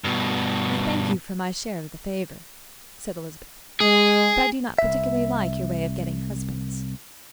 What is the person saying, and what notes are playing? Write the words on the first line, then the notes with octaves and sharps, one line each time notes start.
"I thank you for my share of the favour," said Elizabeth; "but I do not particularly like your way of getting husbands."
G2 B2
G#3 G#4
C2 E5